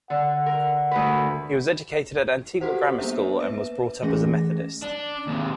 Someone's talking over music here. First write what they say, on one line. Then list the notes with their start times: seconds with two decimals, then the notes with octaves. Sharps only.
He was educated at Antigua Grammar School and was brought up as a Methodist.
0.10 D3 F#5
0.46 A#4
0.91 D2 B4
2.60 F#4 G4 A4 C5 F#5
2.99 A#3 B3 D4 C5 E5
3.40 B4 E5
4.02 E3 A3 C#4 G#4 A#6
4.82 D4
5.27 D#2 C3